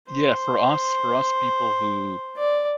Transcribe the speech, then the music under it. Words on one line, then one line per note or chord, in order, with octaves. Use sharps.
Yeah, for us for us people who
C5
D5